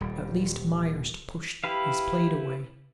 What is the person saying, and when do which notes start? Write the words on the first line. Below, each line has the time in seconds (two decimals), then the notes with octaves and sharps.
At last Myerst pushed his plate away.
0.01 D#1 G3
1.64 E4 G4 B4 F5